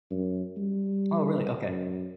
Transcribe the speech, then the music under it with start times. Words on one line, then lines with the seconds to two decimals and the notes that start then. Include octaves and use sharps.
Oh, really? Okay.
0.11 F#2
0.57 G3
1.68 F#2